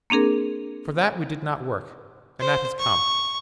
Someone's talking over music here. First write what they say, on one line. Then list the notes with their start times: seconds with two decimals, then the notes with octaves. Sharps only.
For that we did not work, and that has come.
0.10 A#3 C4 D4 G#4 A#4
2.40 C5
2.79 C#6